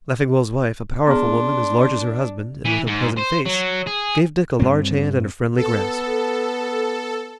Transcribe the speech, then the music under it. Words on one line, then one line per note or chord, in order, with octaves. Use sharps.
Leffingwell's wife, a powerful woman, as large as her husband, and with a pleasant face, gave Dick a large hand and a friendly grasp.
B3 D4 G#4 C6
E3
G#2
C5
F#3
G#4
G2 C4
B3 A4